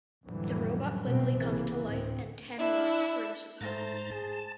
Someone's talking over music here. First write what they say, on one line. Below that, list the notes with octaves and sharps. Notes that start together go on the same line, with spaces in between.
The robot quickly comes to life, and Tenma brings him home.
F2 A2 D3 E3 F#3 G3
B2 A3 C4
C2 C#3 E3 A#3
D2 A2 C4
D4 E4 E5
G#2 A3 C5 A#5 A6
G#4 A5